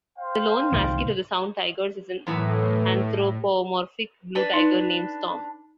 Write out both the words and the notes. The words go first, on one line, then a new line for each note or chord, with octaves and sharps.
The lone mascot of the Sound Tigers is an anthropomorphic blue tiger named Storm.
C5 F5 G5
C2 G#2 D#3
F#2 A2 E3 B3
D4 B4
D#4